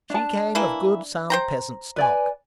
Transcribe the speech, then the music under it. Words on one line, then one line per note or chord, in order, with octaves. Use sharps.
She came of good sound peasant stock.
D4 A5
E3 A#3 E4
C5 G5 A#5
B4 D5 G#5